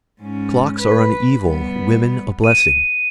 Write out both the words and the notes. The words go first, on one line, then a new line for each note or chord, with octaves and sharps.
Clocks are an evil, women a blessing.
G#2 C#4
B4
G3 B3
D#7